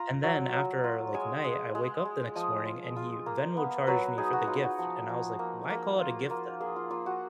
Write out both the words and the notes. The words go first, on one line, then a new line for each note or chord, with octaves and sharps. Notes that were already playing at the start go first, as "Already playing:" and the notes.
And then after, like, night, I wake up the next morning and he Venmo charged me for the gift and I was, like, why call it a gift then?
Already playing: F4 A#5
F#3
F#3
F4
G#3 G#5
G#3
G#3
G#3
F3 D#5
F4
F4
A#3
B3
F#3 B4
D#4 G#4
F#4
D#4 F4
F#4
F3 F#4
F3
A#3
A#3
F4
A#3
A#3 G#4
F4
A#3 F4
F#4